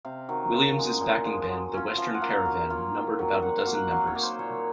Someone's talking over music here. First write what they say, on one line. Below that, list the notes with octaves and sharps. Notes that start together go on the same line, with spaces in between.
Williams' backing band The Western Caravan numbered about a dozen members.
C3 F5
D#3 F#3
C#3
F3 G#3 D#4
A#2 D#5
F3 G#3
F#3
C#4 F4
F3 F5
F#5
A#3 F4
F5
F#3
A#3 F4
D#3
F#3 C4
A#2 F#5
F5
F#3 A#3 F4
F#5
F#3 F5
C#5
A#3 D#4
C5
A#2 C#5